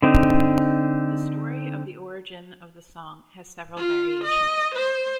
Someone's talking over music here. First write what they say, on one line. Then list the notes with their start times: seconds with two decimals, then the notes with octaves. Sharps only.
The story of the origin of the song has several variations.
0.02 D3 C4 D#4
3.77 F4
4.24 D#5
4.75 C5